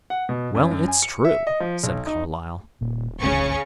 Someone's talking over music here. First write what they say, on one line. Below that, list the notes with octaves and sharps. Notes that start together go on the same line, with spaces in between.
"Well, it's true," said Carlyle.
F#5
B2
F#2
F#2
G#5
C#7
E5
D#5
F3
B1
D#4
D#1 A#2
G#1 D2 C#3 C#4 C#6